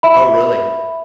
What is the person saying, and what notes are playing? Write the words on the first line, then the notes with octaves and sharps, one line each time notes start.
Oh, really?
E5 B5